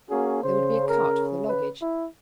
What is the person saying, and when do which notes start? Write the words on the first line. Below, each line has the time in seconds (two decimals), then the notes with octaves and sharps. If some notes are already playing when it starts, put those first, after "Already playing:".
There would be a cart for the luggage.
0.10 A#3 C#4 F#4 G#4
0.43 C#3 C5
0.88 A#4
1.48 B4
1.81 E4